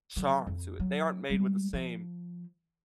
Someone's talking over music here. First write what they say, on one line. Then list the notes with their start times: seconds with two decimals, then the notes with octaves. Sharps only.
charm to it. They aren't made with the same
0.16 D3 F#3
0.47 F2
0.80 F#3
1.30 G3 G#3
1.73 F3